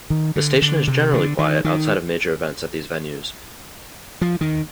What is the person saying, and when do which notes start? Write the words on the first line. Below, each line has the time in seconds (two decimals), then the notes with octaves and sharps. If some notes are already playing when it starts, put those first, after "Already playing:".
The station is generally quiet outside of major events at these venues.
0.10 D#3
0.36 D3
0.62 D3
0.88 C3
1.14 D3
1.39 D#3
1.65 D#3
4.21 F3
4.41 D#3